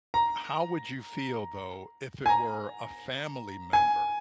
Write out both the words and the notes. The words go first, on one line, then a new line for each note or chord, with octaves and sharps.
how would you feel though if it were a family member
A#5
G#5
A#5
G#5